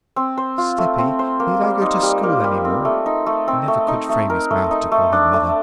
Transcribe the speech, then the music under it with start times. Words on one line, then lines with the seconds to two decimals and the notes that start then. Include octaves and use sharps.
"Steppy, need I go to school any more?" He never could frame his mouth to call her mother.
0.16 C4
0.37 C5
0.58 F4
0.78 A3
0.98 C4
1.19 C5
1.40 A#3
1.61 G3
1.82 D#4
2.03 G3
2.23 A#3
2.44 G3
2.65 C4
2.85 A3
3.06 D#4
3.26 A3
3.48 C4
3.68 A3
3.88 D#4
4.09 A3
4.30 A#4
4.51 A3
4.71 D#4
4.92 A3
5.13 D4
5.34 A3